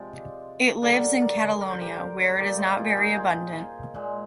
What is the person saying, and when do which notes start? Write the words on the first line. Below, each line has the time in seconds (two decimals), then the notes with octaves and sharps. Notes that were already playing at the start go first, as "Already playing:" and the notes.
It lives in Catalonia, where it is not very abundant.
Already playing: C3 F3 G#3 D5
0.82 D3 G3 A#4 D5
1.22 A#4 D5
1.61 A#4
1.70 C5
1.81 G4 A#4
2.39 A#2 G3 A#4 D5
2.57 C5 D#5
2.77 F4 G#4
2.97 D#4 G4
3.16 F4 G#4
3.94 A#2 G#3